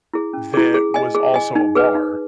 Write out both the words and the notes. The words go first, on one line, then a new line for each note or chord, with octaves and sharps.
that was also a bar,
E4 G#4
C#4
E4 G#4
G#4
D#5 G#5
G#4
D#5 G#5
D#4
G#4 B4
D#4